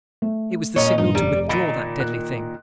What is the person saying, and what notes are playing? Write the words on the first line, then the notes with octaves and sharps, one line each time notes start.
It was the signal to withdraw that deadly thing.
A3
A#2 C#4 D#4
G2 A#2 D#3 D#4
F1 G3 A#5 D#7
A#2 D#3 B5
F#6